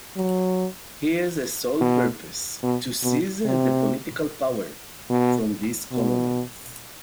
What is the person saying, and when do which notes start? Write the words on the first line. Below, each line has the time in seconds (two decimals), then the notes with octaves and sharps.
He has a sole purpose: to seize the political power from these "colonels".
0.16 F#3
1.81 B2
2.63 B2
3.04 B2
3.45 C3
5.10 B2
5.92 B2